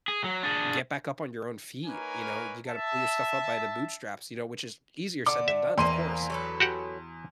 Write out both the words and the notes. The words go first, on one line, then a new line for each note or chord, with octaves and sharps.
get back up on your own feet, you know, you gotta pull your stuff up by the bootstraps, you know, which is easier said than done, of course,
G#4
F#3
D4 G#4
A#3 D#4 A#4 B4 C#5 G#5
E5 A5
D3 D6
E5
E2 A#3 C4 E4 C6 D#7
F#3 A4 B4
F#4 G4 F#5